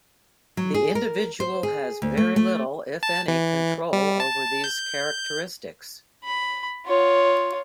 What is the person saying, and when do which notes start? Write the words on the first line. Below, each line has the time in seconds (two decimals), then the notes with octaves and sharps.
The individual has very little, if any, control over these characteristics.
0.57 F#3
0.74 G#4
0.95 A#4
1.40 C5
1.63 G#4
2.02 D2
2.17 A3
2.36 A3
3.03 A5
3.28 E3
3.93 G3
4.20 A5
4.64 G6
6.24 B5
6.87 F4 C#5